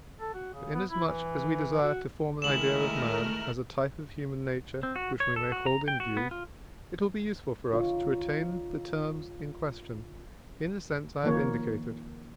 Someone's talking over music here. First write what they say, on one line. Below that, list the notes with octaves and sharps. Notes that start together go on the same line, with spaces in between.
For, inasmuch as we desire to form an idea of man as a type of human nature which we may hold in view, it will be useful for us to retain the terms in question, in the sense I have indicated.
A4
F#4
C#3
B3
E4
E3
F#4
D#3 G#3 A3 E4 A#4 F6 E7 F#7
C4
F#4
C#5
A4
F#4
A#5
G5
F#4
B3
F4
D3 D#4 F4 C#5
D#3 F3 A#3 C#5